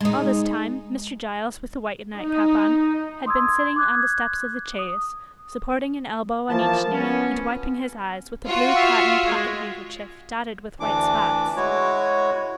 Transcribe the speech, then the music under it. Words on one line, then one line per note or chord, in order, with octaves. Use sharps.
All this time, Mr. Giles, with the white nightcap on, had been sitting on the steps of the chaise, supporting an elbow on each knee, and wiping his eyes with a blue cotton pocket-handkerchief dotted with white spots.
G#3 D#4
D#4
C6 D#6 E6 G#6
D6 D#6 F#6 G#6
D#6
E3 F3 A#3 A5
B3 C#4
F4 F#4
E5 F5
G#3
D2 E3 D4 D6
G#3 E4 F#4 C#5